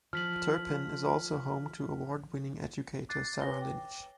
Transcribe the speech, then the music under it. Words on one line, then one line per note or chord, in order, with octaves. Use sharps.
Turpin is also home to award winning educator Sarah Lynch.
F3 F6 B6 F#7
D6 F#6 A6 C7
B4 C#5 G#5 A#6 G7
G5 D6